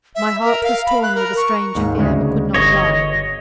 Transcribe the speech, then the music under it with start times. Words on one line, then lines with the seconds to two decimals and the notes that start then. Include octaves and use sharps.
My heart was torn with a strange fear, but could not die.
0.15 E5
0.45 A#4
0.64 F5
0.86 B5
1.03 F#6
1.15 A#4
1.37 C#6
1.75 D#2 G#2
1.98 D2 C#3 G#3
2.54 G1 C#5 D#5